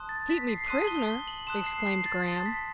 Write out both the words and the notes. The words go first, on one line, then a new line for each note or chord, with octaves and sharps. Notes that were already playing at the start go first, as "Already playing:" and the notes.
"Keep me prisoner!" exclaimed Graham.
Already playing: A5 C6 D#6 F#6
A6
B6
C7
A5 C6 D#6 F#6 D#7
G7
F#7
A5 C6 D#6 F#6 E7
C7
C7
A6
A5 C6 D#6 F#6 A6
B6